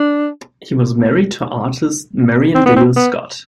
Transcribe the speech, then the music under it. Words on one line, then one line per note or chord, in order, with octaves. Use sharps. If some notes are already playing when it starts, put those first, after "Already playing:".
He was married to artist Marian Dale Scott.
Already playing: D4
C4
B3
C4
B3